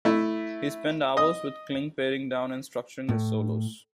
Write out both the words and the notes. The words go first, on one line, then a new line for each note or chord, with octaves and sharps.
He spent hours with Clink paring down and structuring his solos.
A3 E4
D#5 D#6
A2